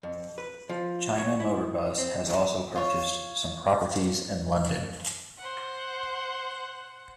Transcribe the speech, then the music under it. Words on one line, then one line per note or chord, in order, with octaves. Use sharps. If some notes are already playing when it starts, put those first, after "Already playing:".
China Motor Bus has also purchased some properties in London.
F2
B4
F3
C#5
E4
C4
F4 C#5 C#6
C5 F#5